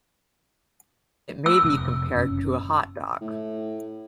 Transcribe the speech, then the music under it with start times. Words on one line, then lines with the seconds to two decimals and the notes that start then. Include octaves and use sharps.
It may be compared to a hot dog.
1.46 E6
1.63 F1 C3
2.13 F#1 C#4
3.21 A2